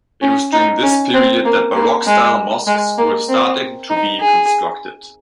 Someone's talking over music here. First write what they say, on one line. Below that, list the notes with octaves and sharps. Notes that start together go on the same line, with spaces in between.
It was during this period that Baroque-style mosques were starting to be constructed.
C#4
D#4
C#4
C4
A#3
A#3
G#3
G#3
A#3
C4
D#4
G#4